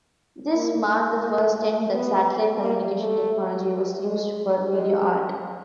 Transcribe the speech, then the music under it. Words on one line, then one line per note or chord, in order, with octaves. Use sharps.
This marked the first time that satellite communication technology was used for video art.
A#3
A#3
B3
A#3
A3
G#3
G#3